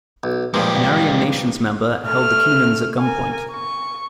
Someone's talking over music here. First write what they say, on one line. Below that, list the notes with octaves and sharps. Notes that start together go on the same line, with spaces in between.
An Aryan Nations member held the Keenans at gunpoint.
B1
G2 A#2 F3 G#3 G4
A3 F6
A#4 G#5
C#6